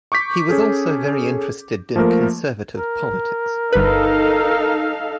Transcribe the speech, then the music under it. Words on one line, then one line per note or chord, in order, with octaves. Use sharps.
He was also very interested in Conservative politics.
C#6 D6 G6 B6
C#4 G#4 A4
F3 A3 A#3 A#4
A#4
G1 D#4 A4 B4 F5